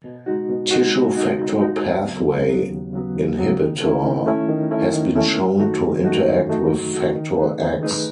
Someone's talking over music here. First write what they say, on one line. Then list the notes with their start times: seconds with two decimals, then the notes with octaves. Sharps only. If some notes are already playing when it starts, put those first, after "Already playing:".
Tissue factor pathway inhibitor has been shown to interact with Factor X.
0.04 B2
0.26 G#3 D#4 F#4
0.49 B2
0.71 G#3 D#4 F#4
0.93 B2
1.15 G#3 D#4 F#4
1.38 B2
1.60 G#3 D#4 F#4
1.82 D#2
2.04 C#3 F#3 B3
2.27 D#2
2.48 C#3 F#3 B3
2.71 D#2
2.93 C#3 F#3 B3
3.15 D#2
3.37 C#3 F#3 B3
3.60 D#3
3.81 A3 C#4 E4
4.04 D#3
4.26 A3 C#4 E4
4.48 D#3
4.71 A3 C#4 E4
4.93 D#3
5.15 A3 C#4 E4
5.37 F#2
5.59 D#3 A3 D#4 F#4
5.82 F#2
6.04 D#3 A3 D#4 F#4
6.26 F#2
6.48 D#3 A3 D#4 F#4
6.71 F#2
6.93 D#3 A3 D#4 F#4
7.15 D#3
7.37 A3 D#4 G#4 B4
7.60 D#3
7.82 A3 D#4 G#4 B4